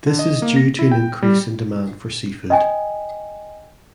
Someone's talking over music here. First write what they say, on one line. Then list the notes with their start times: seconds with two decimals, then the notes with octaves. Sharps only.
This is due to an increase in demand for seafood.
0.06 D3
0.19 D#5
0.42 A#3
0.56 A#6
0.79 E4
0.92 G5
1.22 G3
2.50 D#5 G5 G#5